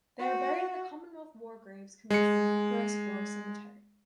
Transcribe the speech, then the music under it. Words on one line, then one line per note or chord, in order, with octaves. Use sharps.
They are buried at the Commonwealth War Graves Commission Bucharest War Cemetery.
F#4
G#3 C#7